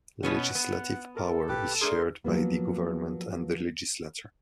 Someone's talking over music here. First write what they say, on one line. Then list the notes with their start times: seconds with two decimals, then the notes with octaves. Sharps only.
Legislative power is shared by the government and the legislature.
0.23 B2 B3 C#4 F#5
0.55 B3
1.17 A4 A#4
1.49 B1 G4 B4 D6
1.81 A3 D4 G#4 A#4 C6
2.24 F3 F#3 A#3 B3